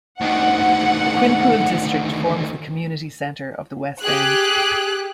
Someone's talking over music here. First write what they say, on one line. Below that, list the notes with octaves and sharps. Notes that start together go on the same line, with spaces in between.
The Quinpool District forms the community centre of the West End.
D2 D#3 F#5
G4 G#4 F#6